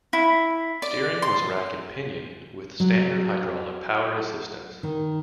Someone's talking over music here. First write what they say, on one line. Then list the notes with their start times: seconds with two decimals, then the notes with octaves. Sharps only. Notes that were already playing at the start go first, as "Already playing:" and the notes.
Steering was rack and pinion, with standard hydraulic power assistance.
0.13 E4
0.82 D5
1.22 C6
2.80 F#3
4.83 D#3